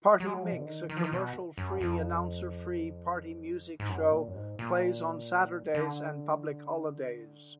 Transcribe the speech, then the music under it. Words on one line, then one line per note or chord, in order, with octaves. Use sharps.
Party Mix, a commercial-free, announcer-free party music show, plays on Saturdays and public holidays.
F#3
G#3
F#3
F3
B2
D3
D#3
D#3
F3
D#3
B2
F#2
F2
G#2
F#2
A#2
F#2
G#2
A#2
D3